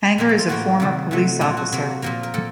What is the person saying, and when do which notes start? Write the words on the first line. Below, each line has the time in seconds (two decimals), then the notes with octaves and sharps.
Hanger is a former police officer.
0.18 A#2 F3 A#3 A#4
0.29 A4
0.39 F4
0.49 A2 F3 A#3 F#4
0.80 C3 D#3 F#3
1.11 C3 F#3 A3
1.41 A#2 F#3 A#3 F4
1.57 F#4
1.72 C3 F#3 A#3
2.02 A#2 F3 A#3 A#4
2.23 A#4
2.34 A#2 A4